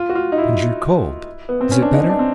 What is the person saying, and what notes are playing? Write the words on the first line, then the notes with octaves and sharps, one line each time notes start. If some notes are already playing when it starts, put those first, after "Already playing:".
'And your cold, is it better?'
Already playing: F4
F#4
F4
D#4
E4
B3
C4
C#4
D4
D#4
D4
C4